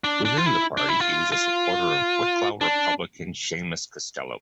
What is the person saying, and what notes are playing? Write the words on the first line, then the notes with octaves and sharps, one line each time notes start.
Within the party he was a supporter of Wicklow Republican Seamus Costello.
D4
D4
F4
E4
D4
E4
F4
F4
D4